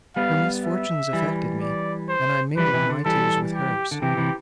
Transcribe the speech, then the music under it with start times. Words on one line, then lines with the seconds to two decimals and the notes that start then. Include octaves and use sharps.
Her misfortunes affected me: and I mingled my tears with hers.
0.16 G3 B3 F5
0.65 E5
1.13 E3 G3
1.61 D5
2.09 C5
2.57 E3 G3 B4
2.74 C3 E3
2.90 D3
3.06 E3 G3 A4
3.54 G4
3.91 D3
4.02 C3 E3 G4
4.17 C3 E3